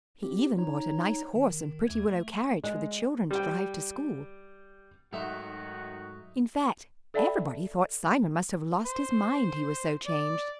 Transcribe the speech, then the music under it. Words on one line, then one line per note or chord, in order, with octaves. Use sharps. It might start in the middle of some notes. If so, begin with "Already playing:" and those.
He even bought a nice horse and pretty willow carriage for the children to drive to school; in fact, everybody thought Simon must have lost his mind, he was so changed.
C4 G4
D#4 C#5 A#5
D#3
D#2 A3 G#6
A3
G#3
G3 G5
G#2 D#3 F#3 A3 D#4 F#4 E5 C6
A4 D5 E5 G5 A5 B5
C5
D5